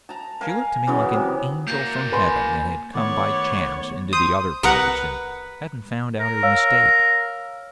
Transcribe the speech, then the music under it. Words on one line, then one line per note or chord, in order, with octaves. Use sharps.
She looked to me like an angel from heaven that had come by chance into the other place and hadn't found out her mistake.
A5 A#5
A#4 F5 G#5
C#3 E3 F#3 B3
C3
A#3 F#4 A#4 G6
B4 G#5 B5 C6
D#3 A3 B3 C#5 D5
C5 D#6
C2 A#4 B4 F#5 A#5 D#6
A#4
C#5 F5 E6